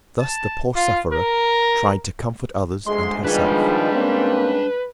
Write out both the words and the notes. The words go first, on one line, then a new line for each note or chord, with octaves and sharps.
Thus the poor sufferer tried to comfort others and herself.
A5
F4
A#4
G1 D2 G#2 G#3 C6
G#2 D#3 F3 G3 G#3 D4 B4 G#5
A#3 C4 C#4